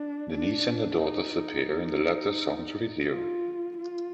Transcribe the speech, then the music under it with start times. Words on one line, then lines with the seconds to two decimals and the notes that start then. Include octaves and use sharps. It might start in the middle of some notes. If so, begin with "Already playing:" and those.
Denise and their daughters appear in the latter song's video.
Already playing: D4
0.33 D4
1.02 D#4
1.36 D#4
3.08 F4
3.77 F4